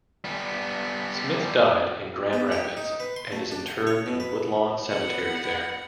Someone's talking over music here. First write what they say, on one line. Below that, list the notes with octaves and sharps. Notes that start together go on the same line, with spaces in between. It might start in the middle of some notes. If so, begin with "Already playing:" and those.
Smith died in Grand Rapids and is interred in Woodlawn Cemetery there.
G3 B3
B3
G4
D#4
B4
C6
A3
D4
F#5
C#5
B2
B4
B3 F#5